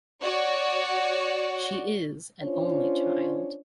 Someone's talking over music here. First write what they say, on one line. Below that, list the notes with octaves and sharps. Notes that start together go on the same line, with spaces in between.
She is an only child.
F#4 C#5 D5
C#4 D4 F4 C5 C#5